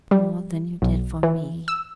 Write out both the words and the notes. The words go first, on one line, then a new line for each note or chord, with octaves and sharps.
"More than you did for me?"
G3
B1
E3
E6